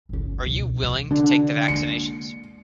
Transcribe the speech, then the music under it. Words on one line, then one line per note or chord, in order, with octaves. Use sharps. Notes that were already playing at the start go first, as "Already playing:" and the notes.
Are you willing to take the vaccinations?
G1 C#2
B1 D3
C3 E3
D3 D4
G#3 A#3 C#7